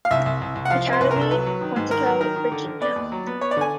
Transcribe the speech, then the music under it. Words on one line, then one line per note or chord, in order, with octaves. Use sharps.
Academy, Quantico, Virginia.
F5
C2 E5
C2
C2
C2
F#5
F3 F5
C3
C5
C2 B4
A#4
C2
A4
F#3 B4
F#3
D#3
G#2
D#3 A#4
F#3
D#3 A#4
D#3
D3
D3
B3 D5
D#2
F#3
B3
B3 C#5
D5
D3 G#5